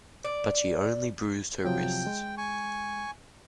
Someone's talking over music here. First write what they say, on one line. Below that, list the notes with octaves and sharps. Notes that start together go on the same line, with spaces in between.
But she only bruised her wrists.
D5
C3 F3 F#3 G5
G#3
G#5 C#6